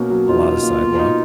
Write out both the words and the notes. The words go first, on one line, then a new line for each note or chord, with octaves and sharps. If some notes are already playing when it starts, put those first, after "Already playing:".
a lot of sidewalk.
Already playing: B2 A#3 C#4
F#3
D#4 F4
B2
A#3
B2
D#4